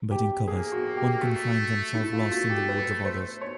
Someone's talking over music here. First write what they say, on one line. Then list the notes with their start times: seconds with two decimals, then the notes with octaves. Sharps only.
But in covers one can find themself lost in the words of others.
0.11 G4
0.47 A#3 G#4
0.72 F#4
0.97 G4
1.21 A3 F#4
1.94 A3 E4
2.13 F4
2.32 F#4
2.50 G4
2.69 B4
3.05 C5
3.41 C#5